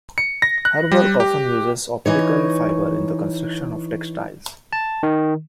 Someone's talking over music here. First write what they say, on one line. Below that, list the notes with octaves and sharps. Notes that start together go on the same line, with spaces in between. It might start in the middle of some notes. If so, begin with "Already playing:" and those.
Her work often uses Optical Fiber in the construction of textiles.
C#7
A#6
F#6
G3
G4
E3 D#4 C#5
A5
D#3